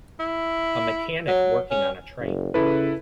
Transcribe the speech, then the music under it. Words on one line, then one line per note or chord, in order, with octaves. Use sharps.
A mechanic working on a train.
E4
F#3
C#4
F#1
C#3 E4 A4 B4